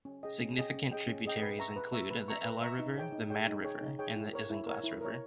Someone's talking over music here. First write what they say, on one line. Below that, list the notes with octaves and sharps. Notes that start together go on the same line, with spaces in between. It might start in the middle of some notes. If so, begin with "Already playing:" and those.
Significant tributaries include the Ela River, the Mad River, and the Isinglass River.
C#4
G#4 D#5 G5
C#4
G#4 D#5 G5
C#4
G#4 D#5 G5
C#4
G#4 D#5 G5
B4
E5 A#5 C#6
B4
E5 A#5 C#6
B4
E5 A#5 C#6
B4
E5 A#5 C#6
D#4
G#4 C#5 G5
D#4
G#4 C#5 G5
D#4
G#4 C#5 G5
D#4
G#4 C#5 G5
E4
A#4 C#5
E4
A#4 C#5
E4
A#4 C#5